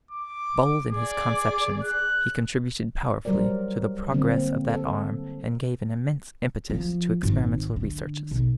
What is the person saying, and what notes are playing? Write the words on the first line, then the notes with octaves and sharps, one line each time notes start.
Bold in his conceptions, he contributed powerfully to the progress of that arm and gave an immense impetus to experimental researches.
D6
G#4 D5 D6
F#6
F#3 G3 A#4 C5 D5
D3 F#3 A#3 C4
A4
F3
G#1
D3
B1